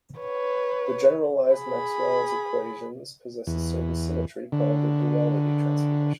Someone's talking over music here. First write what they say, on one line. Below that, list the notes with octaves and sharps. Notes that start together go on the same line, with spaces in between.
The generalized Maxwell's equations possess a certain symmetry, called a "duality transformation".
B4 C#5
G#4 B5
E2
D3